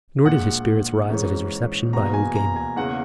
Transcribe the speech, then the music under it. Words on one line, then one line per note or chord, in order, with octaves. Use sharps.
Nor did his spirits rise at his reception by old Gamewell.
A#1 A#2 G#3 F#5
G#2 E3 G#3 C#4
E2 B2 A#3 A#5
G#5
A#5
G#5
E2 C#3 E3 A#3 C#4 F#5